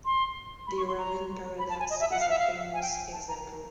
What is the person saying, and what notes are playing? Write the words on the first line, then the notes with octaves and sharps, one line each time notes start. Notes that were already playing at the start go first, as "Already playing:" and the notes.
The raven paradox is a famous example.
C6
B5
C#6
C6
A#5
B5
A5
G#5
D#5
E5
F#5
F5
E5
F5
G#5
G5
G#5
A5
A#5